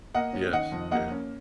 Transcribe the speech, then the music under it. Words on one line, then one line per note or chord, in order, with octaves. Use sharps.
Yes, yeah.
A#3 D#5 F#5
C#4
D#3 D#5 F#5
F2
A#3 D#5 F#5
C#4